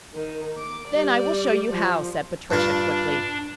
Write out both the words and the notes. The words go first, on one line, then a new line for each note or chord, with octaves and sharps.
"Then I will show you how," said Patricia, quickly.
D#3
D6
G3 D5
F3
G2 D4 F4